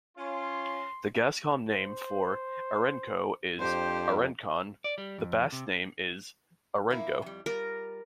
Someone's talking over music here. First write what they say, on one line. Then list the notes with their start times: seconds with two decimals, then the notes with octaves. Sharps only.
The Gascon name for "Arancou" is "Arancon"; the Basque name is "Erango".
0.18 C#4 F4 C6
1.72 C5
3.59 F2 D4 G4 C5
4.84 D5
4.98 G3
5.18 F2
5.52 C3
6.90 A#3 E4
7.22 F2 G3
7.46 G3 F4 A#4